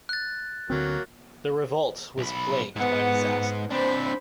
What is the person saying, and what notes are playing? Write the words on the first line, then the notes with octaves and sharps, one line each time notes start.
The revolt was plagued by disaster.
F#6 A6
D2 D3 F#3 A#3 C4
B1 B5
G#2 B3 F#5
C4 D4 C5 B5